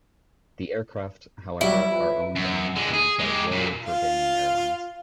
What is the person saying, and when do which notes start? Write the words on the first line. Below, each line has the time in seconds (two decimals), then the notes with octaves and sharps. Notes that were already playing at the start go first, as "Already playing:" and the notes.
The aircraft, however, are owned and maintained by Royal Jordanian Airlines.
1.61 F#3 G3 E4
1.91 F2 B4
2.36 F#2
2.76 D3 G#3
2.94 G#4
3.19 G#3 G4
3.52 F#2 A#2
3.84 F4